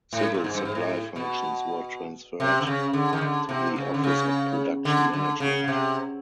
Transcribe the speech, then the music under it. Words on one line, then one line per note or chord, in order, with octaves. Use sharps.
Civil supply functions were transferred to the Office of Production Management.
A2
A#2
G#2
G2
G#2
A2
B2
C3
D3
C#3
D3
D#3
D3
C3
C#3
D3
C#3
D3
D3
C#3
C#3
C3